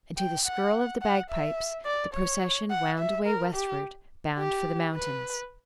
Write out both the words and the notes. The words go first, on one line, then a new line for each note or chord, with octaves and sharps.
And to the skirl of the bagpipes the procession wound away westward bound for the mountains.
G5
F#5
F#5
E5
D5
C#5
F#5
E5
A#4
G4
G4
B4